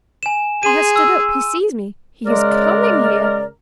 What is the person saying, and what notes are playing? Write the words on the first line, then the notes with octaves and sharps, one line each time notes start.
He has stood up, he sees me, he is coming here....
G#5 E7
G#4 C6 D#7
E6
C#3 G#3 A#4 D5